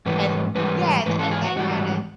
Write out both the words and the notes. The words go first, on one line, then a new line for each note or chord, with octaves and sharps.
and yeah, and and they had a
G#2 E3 G3 B4
G#2 E3 G3 B4
G#2 E3 B4
A4
G#4
F#4
G#2 E3 G3 F#4